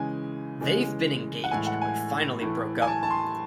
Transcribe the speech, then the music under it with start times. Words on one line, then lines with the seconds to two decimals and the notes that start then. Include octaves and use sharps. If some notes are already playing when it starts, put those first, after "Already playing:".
They've been engaged but finally broke up.
Already playing: C#3 E3 G#3 G#5
0.61 C#3 E3 G#3
1.44 F#5
1.51 A2 E3 G#3 G#5
1.67 F#5
1.82 G#5
2.41 A2 E3 A3
2.82 G#5
2.88 A5
3.03 A5
3.10 C6